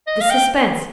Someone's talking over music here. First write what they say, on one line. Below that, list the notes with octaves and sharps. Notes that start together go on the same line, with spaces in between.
This suspense!
D#5
F5
G5